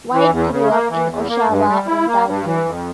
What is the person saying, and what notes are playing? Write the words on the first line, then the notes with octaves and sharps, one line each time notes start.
White grew up in Oshawa, Ontario.
E3
E2
C#3
A#3
E3
E2
A#3
G2
G3
E4
A#3
G2
E3
F2